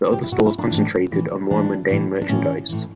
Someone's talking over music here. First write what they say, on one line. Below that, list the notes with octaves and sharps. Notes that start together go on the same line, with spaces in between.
The other stalls concentrated on more mundane merchandise.
G4
E4
B2 F#4
E4
D4
A2 E3
A2 E3
A2 E3 D4
A2 E3
D4
A2 E3 C#4
A2 E3